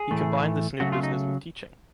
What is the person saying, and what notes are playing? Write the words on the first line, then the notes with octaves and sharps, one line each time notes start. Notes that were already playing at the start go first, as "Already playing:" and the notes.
He combined this new business with teaching.
Already playing: G#4
A2 E3 A3
C#3 F#3 A3 F#4
F4
D#4